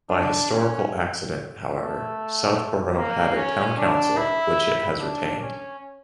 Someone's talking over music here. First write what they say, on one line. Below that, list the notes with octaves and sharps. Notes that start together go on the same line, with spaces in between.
By historical accident, however, Southborough had a Town Council, which it has retained.
D4
C#4
A3
A#3
C#4
D4
E4
D4
C#4